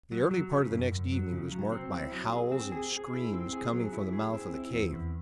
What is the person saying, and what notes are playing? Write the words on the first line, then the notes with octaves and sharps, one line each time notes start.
The early part of the next evening was marked by howls and screams coming from the mouth of the cave.
F#3
F#3
C#3
F#2
F#2
F#3
C#3
F#3
C4
E4
F#3
G#4
C4
G#4
G#4
E4
C4
G#4
F#3
E4
G#4
C4
E4
E2
E2